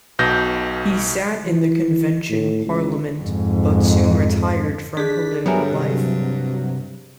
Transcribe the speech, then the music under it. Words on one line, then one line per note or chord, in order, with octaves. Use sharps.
He sat in the Convention Parliament, but soon retired from political life.
B1 B2 G6 A#6
E3
A2
C#2
F2 G#2
D4 G4 G#4 B6
G2 F#3 B3 G4 A#4 C#5 E5 G#5
C3